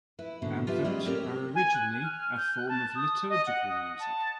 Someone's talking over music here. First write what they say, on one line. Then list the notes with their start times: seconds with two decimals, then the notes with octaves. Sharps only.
Anthems were originally a form of liturgical music.
0.19 E4 B4
0.42 D#2 G#2 B2 D3
0.67 F4 G4 B4 E5
0.85 G3 G#3 B3 C#4 G#4
1.05 C4 G4 A4 A#4 C#5
1.55 G#5
1.74 F#6
2.03 F6
2.37 G6
2.56 F#6
2.69 A5
2.95 D#6
3.30 D#5
3.47 F#5
3.69 D#6
4.00 A5